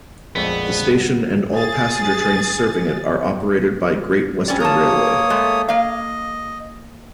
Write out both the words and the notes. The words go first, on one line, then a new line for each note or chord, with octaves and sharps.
The station and all passenger trains serving it are operated by Great Western Railway.
A#1 F2 F3 G#3 A3 B3 D5
C#3 G3 F#5
G#4 A6
G3 C4 C#4 D5
A#3 A#4 C#5 A5 D#6
G#3 A3
A#3 D#5 F5